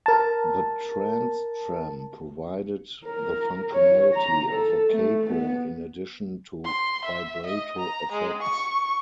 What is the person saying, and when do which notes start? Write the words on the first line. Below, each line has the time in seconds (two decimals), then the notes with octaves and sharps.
The TransTrem provided the functionality of a capo in addition to vibrato effects.
0.06 A#4 A5
3.06 A#4
3.74 C#5
4.14 A#5
4.52 A4
4.90 A3
5.30 B3
6.65 C6
7.04 E5
7.46 D#5
7.78 A#5
8.12 G#3
8.41 C#6